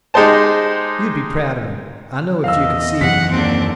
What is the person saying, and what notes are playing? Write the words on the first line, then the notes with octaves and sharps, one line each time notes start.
You'd be proud of him, I know, if you could see him.
G#3 D#4 G4 C5 A5
E2 D#5 F5 E6
F#2 E3 F#5 B6
D#2 C4 D4